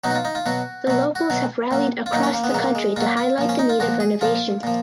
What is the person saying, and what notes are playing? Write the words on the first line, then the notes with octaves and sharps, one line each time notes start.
The locals have rallied across the country to highlight the need of renovation.
B2 F#3 D#4
F#4
F4
D#4
F4
B2 F#3 F#4
B2 F#3
F#4
B2 F#3
A#2 F#3
F4
A#2 F#3 D#4
C#4
A#3
B3
G#3
A#2 F#3 A#3
G#3
A#2 F#3 F4
F4
A#2 F3
C#4
D#4
F4
A#2 F3 F#4
G#4
A#2 F3 F4
A#2 F3